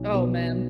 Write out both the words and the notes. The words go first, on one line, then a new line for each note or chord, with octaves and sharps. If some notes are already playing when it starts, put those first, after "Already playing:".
Oh man.
Already playing: B1
B2 B3